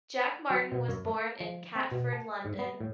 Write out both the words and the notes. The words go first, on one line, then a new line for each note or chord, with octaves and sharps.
Jack Martin was born in Catford, London.
F#3
B2
F#2
A3
F3
C4
B2
A5
G#2
B3
A2